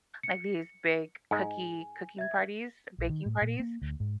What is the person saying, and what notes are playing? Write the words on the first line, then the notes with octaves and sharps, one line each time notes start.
like, these big cookie cooking parties, baking parties.
C#7
G#2 G#3 G#5
E5 G#6
A#1
D#3
A2
A#2
A#3
D2
G#2